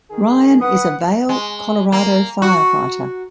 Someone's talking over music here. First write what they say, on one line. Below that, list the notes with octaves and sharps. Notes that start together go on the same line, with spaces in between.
Ryan is a Vail, Colorado firefighter.
D#3 G#4
B4 F#5 D#6
G#3
A#3
F#4